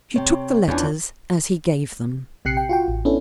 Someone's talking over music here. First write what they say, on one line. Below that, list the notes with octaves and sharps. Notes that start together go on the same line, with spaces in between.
She took the letters as he gave them.
C3 C#5 G5
E2 C#4 D4 F4 C#5 F5 G#5
A#1 C3 G4 F#6 C7 C#7
G5
F4 F#4 G5
A1
B3 C#4 D4 E4 A4